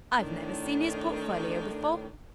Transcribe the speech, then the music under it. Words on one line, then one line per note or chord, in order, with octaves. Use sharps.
I've never seen his portfolio before.
A2 D#3 D4